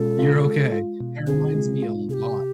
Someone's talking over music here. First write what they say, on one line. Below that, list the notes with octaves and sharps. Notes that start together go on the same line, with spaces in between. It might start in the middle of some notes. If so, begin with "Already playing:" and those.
You're okay. That reminds me a lot
Already playing: B2 G#3 C#4 F4 A4
F4
G#3
F4
B2
C4 G#4
G#3
F4
C3 G4 G#4